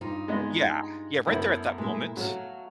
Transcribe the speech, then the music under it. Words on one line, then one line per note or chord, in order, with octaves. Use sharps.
Yeah. Yeah, right there at that moment,
G2 D#4 F4
G#3 B3 D#5
F#2 A3 B3 E4
A#2 G#3 A3 E4
F#3 A3 F#4 F5